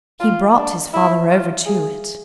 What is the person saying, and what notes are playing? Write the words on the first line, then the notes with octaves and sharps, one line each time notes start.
He brought his father over to it.
F4
D4
E4
F4
G#4